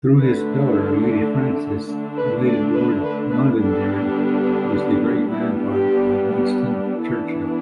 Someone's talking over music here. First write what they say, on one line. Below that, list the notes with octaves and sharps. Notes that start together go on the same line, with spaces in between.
Through his daughter Lady Frances, Lord Londonderry was the great-grandfather of Winston Churchill.
D3 A3 D4 B4
D3 A3 D4
B4
D5
B4
B4
B4
D3 G3 B3 D4 A4
G3 B3 D4 E4
G4
E3 B3 D4 A4